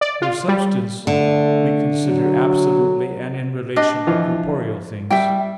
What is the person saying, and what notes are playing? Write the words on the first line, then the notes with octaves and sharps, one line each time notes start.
Their substance we consider absolutely and in relation to corporeal things.
D5
F4
G3
D3 A3
F#3
D4 G4 D#5
E3 F3 F4
G3 E5 G5